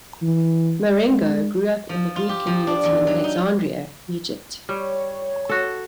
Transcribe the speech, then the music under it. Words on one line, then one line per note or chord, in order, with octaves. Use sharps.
Marengo grew up in the Greek community in Alexandria, Egypt.
E3
G#3
F3
F4
G4
F3
D4
E2
F#3
D#4
G3 C#5
F#4 A4